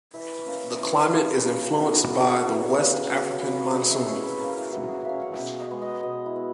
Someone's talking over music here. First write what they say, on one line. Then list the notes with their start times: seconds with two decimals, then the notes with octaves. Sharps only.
The climate is influenced by the West African Monsoon.
0.14 E3 E5
0.46 A#3 C#4
0.79 E3 C#5
1.01 C#5
1.12 A#3 C#4
1.23 B4
1.45 C#3 A#4
1.67 F#4
1.78 E3 B3
1.89 G#4
2.10 C#3 A#4
2.42 E3 B3
2.76 C#3
3.08 F#3 C#4
3.41 C#3 B4
3.58 C#5
3.74 F#3 C#4 D#5
3.90 E5
4.07 E3 C#5
4.23 B4
4.39 A#3 C#4 A#4
4.56 E4
4.72 E3 F#4
4.88 G#4
5.05 A#3 C#4 E5
5.21 F#5
5.37 B2 E5
5.59 D#5
5.71 G#3 B3
5.82 D#5
6.03 B2 D#5
6.26 E4
6.36 B3